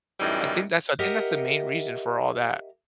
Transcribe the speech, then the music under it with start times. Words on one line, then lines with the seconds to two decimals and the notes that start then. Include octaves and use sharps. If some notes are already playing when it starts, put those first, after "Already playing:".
I think that's I think that's the main reason for all that.
0.20 F#2 A2 E3 G3 D#4
0.99 G4 A#4 D#5 E5 F#5